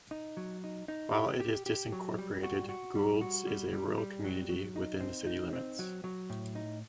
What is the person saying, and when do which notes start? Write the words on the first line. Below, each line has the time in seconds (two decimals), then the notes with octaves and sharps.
While it is disincorporated, Goulds is a rural community within the city limits.
0.11 D#4
0.37 F#3
0.64 D#4
0.88 D#4
1.14 G4
1.40 G4
1.66 G4
1.92 F#3
2.18 G3
2.43 F#4
2.69 F#4
2.95 G3
3.21 F#4
3.46 G3
3.73 G3
3.97 G3
4.24 F#3
4.49 F#3
4.76 D#4
5.00 C4
5.27 D#4
5.53 C4
5.79 F#3
6.04 F#3
6.30 A2
6.55 D#4